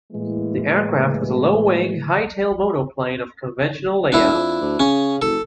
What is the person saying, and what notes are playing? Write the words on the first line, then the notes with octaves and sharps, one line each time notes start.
The aircraft was a low-wing, high-tail monoplane of conventional layout.
A2 E3 G#3 A#3
E1 D4 E4
F2
D2
C#3 C#4
F#1 A4